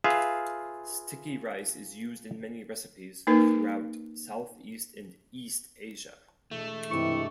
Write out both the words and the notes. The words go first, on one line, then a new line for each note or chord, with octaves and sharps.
Sticky rice is used in many recipes throughout Southeast and East Asia.
F4 G#4 B4 E5 F5
A#3 D#4 A#4 B4
E1 A3
G2 C3 E3 G#3 C#6 D6